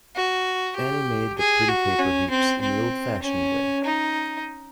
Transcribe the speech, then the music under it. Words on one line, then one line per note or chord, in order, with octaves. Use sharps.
Annie made the pretty paper hoops in the old-fashioned way.
F#4
G4
G#4
F#4
C#4
C4
C4
C#4
D#4